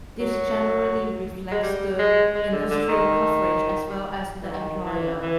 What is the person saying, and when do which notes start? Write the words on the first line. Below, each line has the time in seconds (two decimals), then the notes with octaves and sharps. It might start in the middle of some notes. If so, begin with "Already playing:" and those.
This generally reflects the industrial coverage as well as the employer.
0.19 F#3
1.51 G#3
1.63 G3
1.99 G#3
2.35 G#3
2.52 D3
2.70 D3
2.88 D#3
4.43 E3
4.50 D#3
4.86 E3
5.22 E3